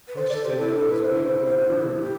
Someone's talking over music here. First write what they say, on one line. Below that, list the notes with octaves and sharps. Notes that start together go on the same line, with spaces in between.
"Hush!" said Athos, "we are overheard."
B4
A4 C5
A4 D5
G4 C5
E4 A4
D4 A4
A4
E4 B4
E4 C5
C5
E4 C5
F#4
D4
E4
E4
G4